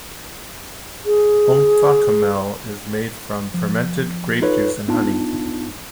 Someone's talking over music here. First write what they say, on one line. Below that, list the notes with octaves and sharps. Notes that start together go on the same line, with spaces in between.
Omphacomel is made from fermented grape juice and honey.
G#4
F3
D#4 F4 A4 B4 C#5
B3 D4 D#4 F4 A5